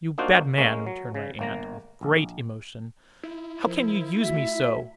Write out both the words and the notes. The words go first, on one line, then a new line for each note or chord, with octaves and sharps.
'You bad man,' returned my aunt, with great emotion; 'how can you use me so?
A#3 D4 D#4 F4 F#4 C5
G#3 A#3 C#4
F#3
C#3
G1 A#3 A#5
A#1
E4
F3 A#4 C5
A3 F#4 E5